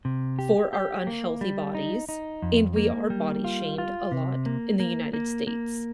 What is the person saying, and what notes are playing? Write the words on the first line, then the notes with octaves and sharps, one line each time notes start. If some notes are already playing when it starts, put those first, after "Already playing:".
for our unhealthy bodies, and we are body shamed a lot in the United States.
C3
G4
G4
A#3
G3
D#4
D#4
F2
A#3
G3
F4
F4
C3
A#3
A#3
A#3
A#3